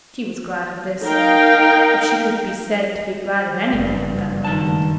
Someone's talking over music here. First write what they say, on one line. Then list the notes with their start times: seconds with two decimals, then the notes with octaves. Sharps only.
She was glad of this, if she could be said to be glad of anything at that moment.
1.02 D#4 A#4 F5 G5
3.73 F#1 G2
4.45 D#3 A5